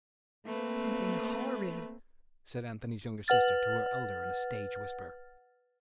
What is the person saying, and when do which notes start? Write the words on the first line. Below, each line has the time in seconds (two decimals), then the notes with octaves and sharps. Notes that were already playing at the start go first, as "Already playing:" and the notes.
"Something horrid," said Anthony's younger sister to her elder in a stage whisper.
0.47 A3 A#3 C4 B4
3.28 B4 F#5 F6 A6